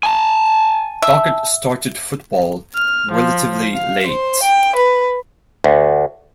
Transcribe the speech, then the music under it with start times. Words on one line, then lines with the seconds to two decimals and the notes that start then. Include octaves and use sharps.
Dockett started football relatively late.
0.03 G#5 A5
1.02 E5
2.75 F6
3.11 F3
3.73 F5
4.07 C5
4.43 G5
4.76 B4
5.64 D2